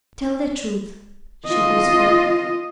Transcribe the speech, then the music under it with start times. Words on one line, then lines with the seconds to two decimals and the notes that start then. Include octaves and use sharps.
"Tell the truth," she whispered.
1.47 F4 D#5